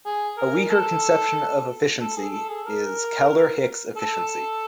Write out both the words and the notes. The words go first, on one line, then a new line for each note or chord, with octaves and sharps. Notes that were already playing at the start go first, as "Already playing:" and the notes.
A weaker conception of efficiency is Kaldor-Hicks efficiency.
G#4
A#4
A4
A4
G#4
A4
G#4
A#4
A4